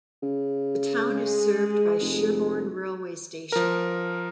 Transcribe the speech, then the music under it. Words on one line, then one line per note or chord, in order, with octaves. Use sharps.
The town is served by Sherborne railway station.
C#3
G#3
F1
F3 A#4